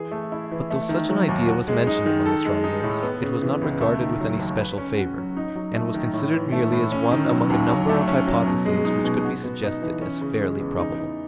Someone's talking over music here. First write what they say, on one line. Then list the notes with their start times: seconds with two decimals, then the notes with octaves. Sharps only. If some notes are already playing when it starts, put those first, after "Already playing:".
But though such an idea was mentioned among astronomers, it was not regarded with any special favour, and was considered merely as one among a number of hypotheses which could be suggested as fairly probable.
Already playing: E3 G#4
0.11 A3
0.32 E4
0.51 E3
0.70 A3
0.89 D#3
1.09 F#3
1.29 D#2
1.48 F#4
1.68 G#3
1.87 D#4
2.06 D#3
2.26 A4
2.45 G#3
2.64 D#4
2.83 A2
3.03 B3
3.22 C#3
3.42 E3
3.61 C#2
3.81 A3
4.00 D#3
4.20 F#3
4.39 D#2
4.58 B4
4.78 C#4
4.97 F#4
5.17 F#3
5.37 D#4
5.55 F#3
5.75 A3
5.94 D#3
6.13 A2
6.33 E3
6.52 A3
6.72 A2
6.92 C#4
7.11 D#3
7.30 F#3
7.50 D#2
7.69 F#3
7.89 A3
8.08 C#4
8.27 F#3
8.47 B2
8.66 G#3
8.85 D#4
9.05 B2
9.25 F#4
9.43 B3
9.64 D#4
9.82 E3
10.02 C#4
10.21 C#3
10.41 G#3
10.60 E2
10.79 D#4
10.99 E3